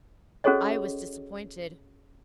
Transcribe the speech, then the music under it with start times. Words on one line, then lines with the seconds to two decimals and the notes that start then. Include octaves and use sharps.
I was disappointed.
0.44 C#4 F#4 G#4 A4 C#5 D#5